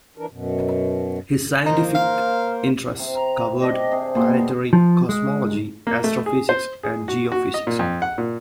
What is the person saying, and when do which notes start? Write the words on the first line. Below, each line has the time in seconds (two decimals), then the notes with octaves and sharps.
His scientific interests covered planetary cosmogony, astrophysics and geophysics.
0.17 E3 D4 A#4
0.31 F#2 B2
1.66 A#3 D#4 A#4 C5
1.95 F5
2.99 C3
3.15 A#5
3.60 C4 D4 D#5
3.92 C3 G#4
4.15 B2 G#3 A#3 C6
4.73 F3
5.09 G#3
5.87 A#3
6.04 A3
6.26 G#4
6.49 C5
6.83 G#4
7.08 F#4
7.32 F#4
7.54 D#5
7.67 A#2
7.79 F2
8.02 F#5
8.18 A#2